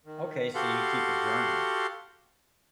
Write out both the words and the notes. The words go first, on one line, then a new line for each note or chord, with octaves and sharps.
Okay, so you keep a journal.
D#3
F#4 G4 A4 F5 F#5 C6